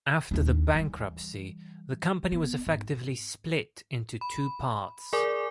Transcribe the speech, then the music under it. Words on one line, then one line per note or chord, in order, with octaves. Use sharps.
After the bankruptcy, the company was effectively split into two parts.
D#2 D4
E3 G3
B3
G#2
B5
G#4 A#4 D5 G#5 D6